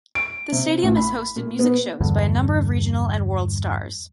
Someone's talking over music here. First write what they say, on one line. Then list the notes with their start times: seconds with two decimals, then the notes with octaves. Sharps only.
The stadium has hosted music shows by a number of regional and world stars.
0.15 D7
0.52 C3
0.83 A1
0.97 B5
1.36 A#2
1.59 B3
2.01 E2 G2 D3